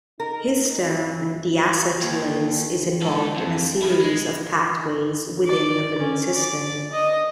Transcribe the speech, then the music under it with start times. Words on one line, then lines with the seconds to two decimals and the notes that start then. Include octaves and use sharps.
Histone deacetylase is involved in a series of pathways within the living system.
0.20 D#4 A#4
2.02 D#2
3.02 G#2 A4
3.36 F2
3.82 D#3 E4
4.00 G#3
5.46 D5
5.99 C#4
6.34 D5
6.92 D#5